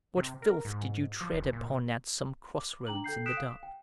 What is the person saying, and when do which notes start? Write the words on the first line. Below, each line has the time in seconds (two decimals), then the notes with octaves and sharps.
What filth did you tread upon at some crossroads, in the dark?
0.17 C3
0.42 A#4
0.65 G#2
1.21 F3
1.33 E1
1.53 A#2
2.58 D6
2.87 D4 G5 A#5 F#7
3.04 A4 G5 G6 C7
3.26 D#6 F#6 B6 D7 E7
3.37 F5
3.63 G5